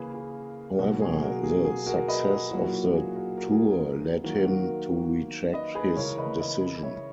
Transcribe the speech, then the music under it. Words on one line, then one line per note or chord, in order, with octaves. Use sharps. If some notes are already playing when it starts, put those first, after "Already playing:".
However, the success of the tour led him to retract his decision.
Already playing: C#3 E3 A#3 G#4 B4
G#4
B2 F#3 A#3 F#4
G#4
F#4 A#4
G#4
G#4
F#4 A#4
B4 D#5
G#4
A#2 F#3 A#3 E4 F#4
G#4
F#4 A#4
F#4 A#4
G#4
G#4
D#3 F#3 A#3 F#4 A#4
F#4 A#4
B4 D#5
G#4 B4
C#3 E3 G#3 C#4 A#4 C#5
B4 D#5
B4 D#5
C#5 E5